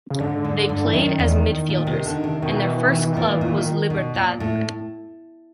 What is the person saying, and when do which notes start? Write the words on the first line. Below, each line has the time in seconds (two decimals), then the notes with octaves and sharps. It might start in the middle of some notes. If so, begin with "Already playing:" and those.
They played as midfielders and their first club was Libertad.
0.10 C#3
0.20 G#2 D3
0.45 G#2
0.69 G2
0.86 E3
0.94 F#2 D#3
1.19 E2
1.69 A#2
1.87 C3
2.06 D3
2.24 C3
2.42 B2 D#3
2.50 E3
2.56 D#3
2.63 E3
2.70 D#3
2.78 E3
2.85 D#3
2.91 E3
2.99 D#3
3.06 E3
3.13 D#3
3.16 A#2 E3
3.27 D#3
3.34 E3
3.41 A#2 D#3
3.48 E3
3.54 D#3
3.90 B2
4.15 A#2
4.40 A2